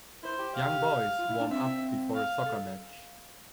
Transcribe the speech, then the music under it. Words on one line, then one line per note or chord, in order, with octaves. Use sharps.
Young boys warm up before a soccer match.
E4 C5
G4
F5
F4
E4
D4
C4 E5
F5
A4